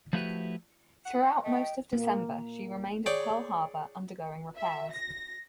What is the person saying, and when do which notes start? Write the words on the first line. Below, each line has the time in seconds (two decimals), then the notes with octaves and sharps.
Throughout most of December, she remained at Pearl Harbor undergoing repairs.
0.13 F3 A3 E4 F#4 G4 B4
1.06 F#5
1.44 A3 D#5 G5
1.93 A#3
3.06 G#4 C#5 D5 G5
4.56 E5
4.92 A#6